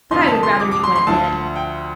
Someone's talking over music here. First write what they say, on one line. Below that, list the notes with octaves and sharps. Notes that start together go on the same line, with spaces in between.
But I would rather you went, Ned.
F1 F2 D3 F3 C6
A5
C6
D6
D6
C6
C6
D2 D3 F3 A5
G5